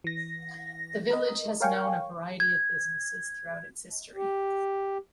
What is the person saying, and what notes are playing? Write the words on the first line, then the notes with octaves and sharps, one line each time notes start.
The village has known a variety of businesses throughout its history.
E3 A#6
A#4 D#5
A#4 C#5 F5 G5 G#5 C#6
G#6
G4